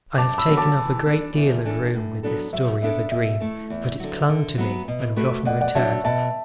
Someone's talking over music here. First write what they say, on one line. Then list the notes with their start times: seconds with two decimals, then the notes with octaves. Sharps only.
I have taken up a great deal of room with this story of a dream, but it clung to me, and would often return.
0.18 F#2 A5 D6
0.38 B5 E6
0.47 D3 F#3 B3
0.57 A5 D6
0.77 E3
1.06 D4 A4 D5
1.35 E2
1.64 E3 D4 A4
1.94 A2
2.23 F#3 B3 D4 A4
2.53 F#3 E5
2.82 B3 D4 A4 D5 E5
3.11 B2 E5
3.40 A3 E4 A4
3.70 E2
4.00 D3 F#3
4.29 D3
4.58 F#3 B3
4.88 B2
5.16 A3 F#4 B4 D5
5.45 B2 D5 F#5
5.61 D5 F#5
5.75 F#3 D4 E5 A5
5.90 E5
6.04 B2 E5 A5